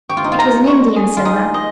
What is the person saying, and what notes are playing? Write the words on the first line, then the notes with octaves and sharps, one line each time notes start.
It was Indian Summer.
G4 C#6
F4
D#4
F4
A#5
C#6
G#4
F4
D#4 G#4
D#5